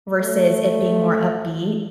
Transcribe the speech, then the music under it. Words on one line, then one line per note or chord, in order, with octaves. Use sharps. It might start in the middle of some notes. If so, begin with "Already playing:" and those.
versus it being more upbeat,
A3